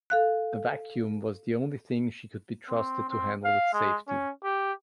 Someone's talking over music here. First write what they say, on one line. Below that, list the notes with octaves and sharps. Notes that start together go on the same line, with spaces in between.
A vacuum was the only thing she could be trusted to handle with safety.
A4 F5 F#6
C4
C4
F5
G#3
C#4
G4